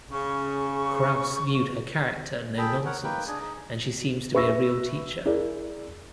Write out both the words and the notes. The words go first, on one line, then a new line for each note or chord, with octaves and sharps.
Crouse viewed her character no nonsense, and she seems to be a real teacher.
C#3 G#4 C#6
G#4 A4 G5 B5
A#4 C#5 F#5
A#3 D#4 B4 G5
D4 G#4 G#5
D#4 G#4
B4 E5 C#6 E6 A#6
E4 G#4 A#4 D5